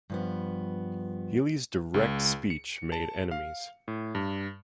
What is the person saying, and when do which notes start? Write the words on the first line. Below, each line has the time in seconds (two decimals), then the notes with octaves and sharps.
Healey's direct speech made enemies.
0.10 G2 F3 B3
1.94 C#2
2.50 C#7
2.92 A5
3.31 F5
3.88 A2
4.15 G2